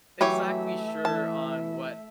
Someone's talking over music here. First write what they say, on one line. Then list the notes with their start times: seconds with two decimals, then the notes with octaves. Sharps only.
exactly sure on what
0.21 E3 F#3 A3 G4 C#5 E5
1.05 E3 A5